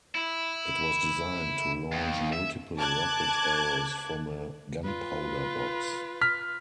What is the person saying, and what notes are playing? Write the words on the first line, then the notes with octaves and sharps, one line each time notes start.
It was designed to launch multiple rocket arrows from a gunpowder box.
E4
D#2
E5
A5 D6 F#6 G#6
F4 B4
F6 B6